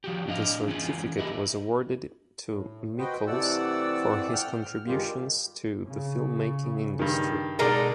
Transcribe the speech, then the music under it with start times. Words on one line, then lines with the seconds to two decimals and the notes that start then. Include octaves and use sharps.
The certificate was awarded to Mikels for his contributions to the filmmaking industry.
0.04 F3 F#4 G4
0.27 A2 D4 D#5 F5
0.68 E3 C#4 F4 G#4
1.19 E4 G4 A#4 D#5
2.49 A2
2.98 F#4 B4 C5 D#5 G5
3.27 C3 E3 A3 D5 F#5 E6
4.33 F#5 G5 F6
4.62 F6
4.86 G2 D#3 G3 G#3 F4 G4
5.86 C#3
6.99 G2 D#3
7.59 B2 D3 G#3 D#4 A#4 D5